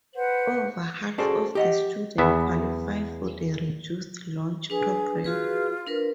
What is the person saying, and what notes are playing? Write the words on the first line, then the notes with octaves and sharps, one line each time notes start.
Over half of the student qualify for the reduced lunch program.
B4 C5 F#5
C#4 F#4 G#4 A4 C5 D5
G4 D#5 F#5
E2 B3 E5
D4 G#4 B4
F4 F#4 G#4 B4
D4 A#4 B4